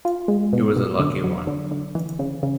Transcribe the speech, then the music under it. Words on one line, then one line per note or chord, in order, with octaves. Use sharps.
He was a lucky one.
F4
G#3
B2
B2
D3
F#3
D3
D3
E3
C#3
C#3